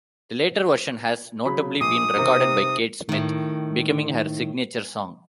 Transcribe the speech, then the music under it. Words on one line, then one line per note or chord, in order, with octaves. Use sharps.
The later version has notably been recorded by Kate Smith, becoming her signature song.
C#3 F#3 B5
A#1 D6 D#6 C7
C3 D#4 G4 A#4
A2 D#3